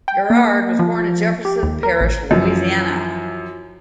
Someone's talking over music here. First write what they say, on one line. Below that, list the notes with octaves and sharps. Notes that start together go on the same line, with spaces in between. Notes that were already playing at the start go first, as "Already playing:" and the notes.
Girard was born in Jefferson Parish, Louisiana.
G5
A#3
F3
G4
D#2
A#4
A1
F#2 E3 F3